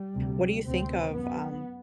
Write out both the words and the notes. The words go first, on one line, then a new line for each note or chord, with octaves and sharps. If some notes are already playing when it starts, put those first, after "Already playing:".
What do you think of, um
Already playing: G3
D2 C3
D2 C3 C4
F#2 B3